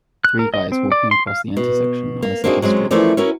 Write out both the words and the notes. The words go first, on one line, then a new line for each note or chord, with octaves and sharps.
Three guys walking across the intersection on a city street.
F#6
A#4
D#5
C4
D5
C6
F5
B2
A#3
A#3 C4 D4 D#4 F#4 G#4
F#3 G#3 C4 C#4
E3 F3 A3 C#4 A#4 D5
C#4 E4 F#4 A#4